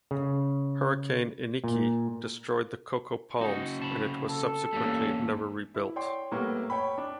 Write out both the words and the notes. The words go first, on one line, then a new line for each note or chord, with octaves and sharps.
Hurricane Iniki destroyed the Coco Palms and it was subsequently never rebuilt.
C#3
A#2
C#3 D#4 F#4
C3 A5 B5
A4
E2 G2 G3 A#3 C#4
E4
C#5 D5 G5 C6
A2 G3 A#3 B3
C#5 G5 B5
D4